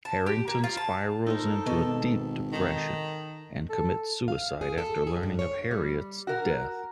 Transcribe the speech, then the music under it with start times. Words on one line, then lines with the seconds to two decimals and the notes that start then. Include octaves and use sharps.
Harrington spirals into a deep depression and commits suicide after learning of Harriot's death.
0.05 A5
0.26 G4
0.48 A#3
0.64 F4
0.77 A5
1.26 A#2 D#4 A4 A#4 C5
1.67 G#1 B2
2.53 D#3 D#4 A4
3.69 A4
4.28 F5
4.61 G#4
4.78 A4
5.07 G#4
5.23 G2
5.39 C#5
5.71 G3
6.27 F#4 A#4